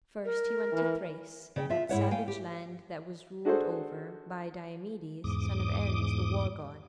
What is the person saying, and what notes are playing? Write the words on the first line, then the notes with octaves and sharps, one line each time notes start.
First he went to Thrace, that savage land that was ruled over by Diomedes, son of Ares, the war god.
A#4
E3
C#3 D5 G5
F4 E5
G#2 E4 C#5 F#5
A3 F5 G5 G#5
G4
D4 F#4 G#4 A4 C5
E2 G#2 D6 D#6